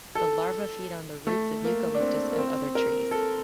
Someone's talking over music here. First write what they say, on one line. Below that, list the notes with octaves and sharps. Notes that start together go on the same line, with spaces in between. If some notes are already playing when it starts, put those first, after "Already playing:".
The larvae feed on the roots of "Eucalyptus" and other trees.
A4
A3
A#3
D4
C4
A#3
C4
A#4
A4